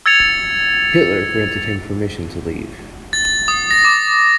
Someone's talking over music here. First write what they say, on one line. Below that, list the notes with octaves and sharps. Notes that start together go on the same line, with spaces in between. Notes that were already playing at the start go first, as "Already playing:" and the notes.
Hitler granted him permission to leave.
E6 G#6 A6 C#7 F7
A6
D#6
A#6
D6